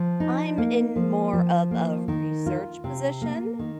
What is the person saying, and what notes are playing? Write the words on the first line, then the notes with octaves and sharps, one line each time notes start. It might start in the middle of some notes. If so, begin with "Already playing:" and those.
I'm in more of a research position,
Already playing: F3
D#4
A#3
F3
F3
A#3
D#3
F4
C3
A#3
D#3